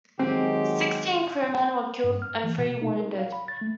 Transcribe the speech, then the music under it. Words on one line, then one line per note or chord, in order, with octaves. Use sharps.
Sixteen crewmen were killed and three wounded.
D#3 F#3 G#3 C4 G4
G2
F6
E3
B2
D#4
A#4
F5
B5
A6
A3